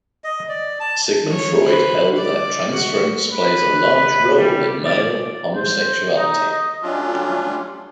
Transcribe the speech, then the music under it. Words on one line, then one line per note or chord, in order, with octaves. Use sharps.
Sigmund Freud held that transference plays a large role in male homosexuality.
D#5
D5
A5
C#5
B4 C5
D5
F#4
B4
G3
D5
C5
D#4
D#5
F#3 G3 A3 C#4 D4 F4